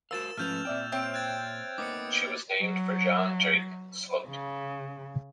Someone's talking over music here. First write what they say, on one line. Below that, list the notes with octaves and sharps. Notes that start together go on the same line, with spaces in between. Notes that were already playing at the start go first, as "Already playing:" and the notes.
She was named for John Drake Sloat.
F#4 A#4 C5 F5 E6 A6 E7
G#2 F3 A3 C#4 B4 F6 G6 F7
A#2 C4 D5 E5 G5
C4 C#5 E5 G6 D7
F#6 G#6 A6
A#3 B3 D#4 D6 D#6 C#7
F#3
C#3